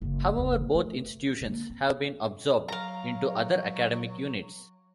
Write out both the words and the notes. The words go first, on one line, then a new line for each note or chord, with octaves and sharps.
However, both institutions have been absorbed into other academic units.
F#1 C#3
F#1 D#2
A3
D3 A#3
C4
F#3 F5 A#5